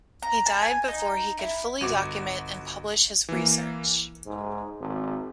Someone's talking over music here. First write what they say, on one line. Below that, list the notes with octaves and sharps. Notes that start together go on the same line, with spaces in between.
He died before he could fully document and publish his research.
A#5
A5
G#5
D#4
E4
G1 F#4 D6
E3 A#3
G#2
G#1